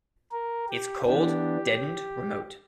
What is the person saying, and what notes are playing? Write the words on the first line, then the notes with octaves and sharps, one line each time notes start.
It's cold, deadened, remote.
A#4
G4
E3 B3 D4 G4